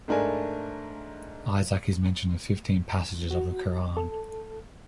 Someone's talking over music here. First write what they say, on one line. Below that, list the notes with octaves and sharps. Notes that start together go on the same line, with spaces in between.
Isaac is mentioned in fifteen passages of the Qur'an.
G#2 A3 D4 A#4 G#5
F#4
A4